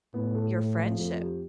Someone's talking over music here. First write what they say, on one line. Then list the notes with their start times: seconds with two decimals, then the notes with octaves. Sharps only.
your friendship.
0.14 A2 B3
0.35 A4
0.57 A3
0.77 F3
0.98 F2 A3
1.20 G4